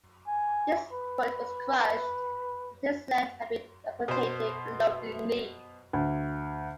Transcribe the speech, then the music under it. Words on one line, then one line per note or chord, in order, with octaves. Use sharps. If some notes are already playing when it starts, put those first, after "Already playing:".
His foot was crushed and his leg had to be amputated below the knee.
G#5
B4
B2 C5
D2